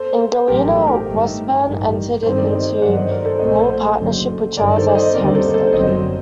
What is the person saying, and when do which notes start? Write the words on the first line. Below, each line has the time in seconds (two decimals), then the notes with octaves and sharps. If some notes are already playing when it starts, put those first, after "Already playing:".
In Galena, Wasburne entered into law partnership with Charles S. Hempstead.
Already playing: A4 C5
0.48 A1 G2 F#3 A3 G4 A#4
0.67 D#4 G4
0.87 G4 A#4
1.07 G1 G2 D#3 A3
1.64 A1 G2 D#3 G3
2.23 G2 D#3 G3 C4 A4 C5
2.38 A#4 D5
2.52 C5 D#5
2.67 C5 D#5
2.82 G2 D#3 F#3 D5 F#5
2.96 C5 D#5
3.11 A#4 D5
3.25 A4 C5
3.39 A#1 A#2 A3 C4 C5 D#5
3.59 A4 C5
3.98 F#1 F#2 D3
4.57 G1 G2 D#3 A#4 D5
4.76 A4 C5
4.87 D5
4.95 C5 D#5
5.14 D#2 D3 G3 C4 A#4 D5
5.34 A4 C5
5.54 A4 C5
5.73 G1 F#2 D3 F#3 C4 C5 D#5